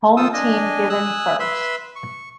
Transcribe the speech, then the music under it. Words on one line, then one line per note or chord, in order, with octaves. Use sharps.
Home team given first.
C4 F4 A4 D#6 E6
D4 D#5 G#5
G#5 D#6 E6 F#6
B4 E5 B5 C6 E6
C#6